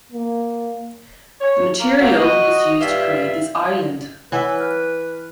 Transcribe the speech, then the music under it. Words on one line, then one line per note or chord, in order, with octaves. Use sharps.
The material was used to create this island.
A#3
C#5
A#3 A#4
A3 A#3 C4 F#4 F5
F#4 D#5
G2 G3 F4 E5
E3 B4 C#5 E5 F#5 G#5
F6 F#6